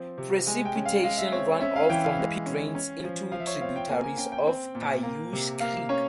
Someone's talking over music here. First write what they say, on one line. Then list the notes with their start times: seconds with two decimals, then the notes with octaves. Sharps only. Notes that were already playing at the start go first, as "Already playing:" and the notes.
Precipitation runoff from the peak drains into tributaries of Cayoosh Creek.
Already playing: F3 C4
0.18 C3
0.47 G#3 G#5
0.65 G5
0.76 C#4
0.85 F5
1.03 G#3 F5
1.18 E5
1.32 C4 C#5
1.60 C#4 E5
1.76 F5
1.90 E3 G5
2.04 F5
2.18 G#3
2.46 C#4
2.75 C#4
3.04 F3
3.32 F3 F5
3.40 E5
3.47 C#5
3.61 C4 F5
3.76 G5
3.89 A#3 G#5
4.04 G#5
4.17 C#4 G5
4.32 G5
4.47 C4
4.75 A#2
5.03 A#3
5.33 C3
5.60 A#3 F5
5.89 C#4 C#5